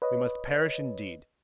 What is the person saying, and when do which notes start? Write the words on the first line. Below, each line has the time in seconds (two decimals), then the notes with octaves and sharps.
We must perish indeed.
0.02 B4 C#5 D#5